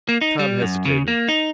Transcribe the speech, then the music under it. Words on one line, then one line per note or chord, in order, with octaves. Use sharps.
Tom hesitated.
A#3
D#4
G3
F#2
C#3
A#3
D#4